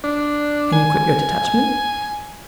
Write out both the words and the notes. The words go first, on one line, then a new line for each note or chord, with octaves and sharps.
"Can you quit your detachment?"
D4
G#5